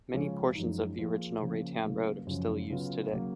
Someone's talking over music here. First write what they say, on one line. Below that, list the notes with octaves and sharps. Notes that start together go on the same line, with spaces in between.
Many portions of the original Raytown Road still are used today.
C#3 F3 G#3 C#4 F4
F#2 F3 G#3 D#4
F3 A#3 F4 G#4
C#3 F3 A#3
C#3 F#3 A#3
F#2 C#3 F3
C#3 F#3 B3 F4
C#3 F#3 A#3